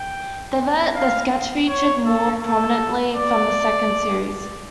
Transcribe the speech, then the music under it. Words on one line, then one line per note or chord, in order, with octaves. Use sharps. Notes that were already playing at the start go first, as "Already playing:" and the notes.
The "Vet" - The sketch featured more prominently from the second series.
Already playing: G5
F5
C#5
A4
A4
D5